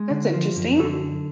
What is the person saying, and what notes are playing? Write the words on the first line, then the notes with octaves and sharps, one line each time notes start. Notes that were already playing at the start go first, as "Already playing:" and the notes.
That's interesting.
Already playing: G#3
D3
F3
F#2
D3 F#4 A4